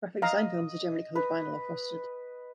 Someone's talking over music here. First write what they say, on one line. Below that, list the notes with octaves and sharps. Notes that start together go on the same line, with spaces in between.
Graphic design films are generally colored vinyl or frosted.
D#5 F5 A#5
B4